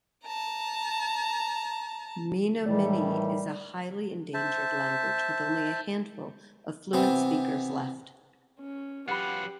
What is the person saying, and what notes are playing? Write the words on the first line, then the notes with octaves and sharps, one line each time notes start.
Menominee is a highly endangered language, with only a handful of fluent speakers left.
A5 A#5
A2 D#3 E3 G3 D5
C5 E5 A5
C3 E3 B3 C4
C#4
F#3 F4 G4 B4 F#5 B5